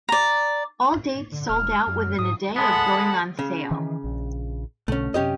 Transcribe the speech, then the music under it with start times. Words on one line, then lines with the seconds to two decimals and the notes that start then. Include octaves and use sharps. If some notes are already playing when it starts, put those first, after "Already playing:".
All dates sold out within a day of going on sale.
0.09 D5 A#5
1.32 D3
1.49 D#1 F6
1.87 F#2
2.19 G#2 D#6
2.56 G#3 B3 A4 F#5
3.39 C#3
3.71 D#3 E3
4.04 A#1
4.88 B1 B2 D3 A3 C#4
5.14 F#2 C3 C#4 G4 D#5